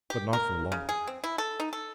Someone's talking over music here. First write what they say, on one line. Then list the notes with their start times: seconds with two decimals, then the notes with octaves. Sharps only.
But not for long.
0.10 G4
0.33 A#4
0.72 C#3
0.89 G#4
1.07 C4
1.24 E4
1.38 A4
1.60 D#4
1.73 A4